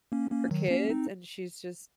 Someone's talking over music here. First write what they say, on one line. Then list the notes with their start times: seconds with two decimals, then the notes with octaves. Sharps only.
her kids, and she's just
0.12 A#3 C#4
0.31 A#3 C#4
0.51 D#3 F#3
0.71 A#3 C#4
0.89 C4 D#4